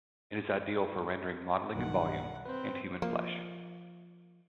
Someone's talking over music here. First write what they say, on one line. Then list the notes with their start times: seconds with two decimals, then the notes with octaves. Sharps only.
It is ideal for rendering modeling and volume, and human flesh.
1.75 B1 G2 D#3 F#5
2.45 C4 B4 C5
3.02 F3 A#3